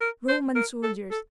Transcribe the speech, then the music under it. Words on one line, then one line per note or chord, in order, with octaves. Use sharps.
Roman soldiers!
A#4
C5
A#4
A4
A4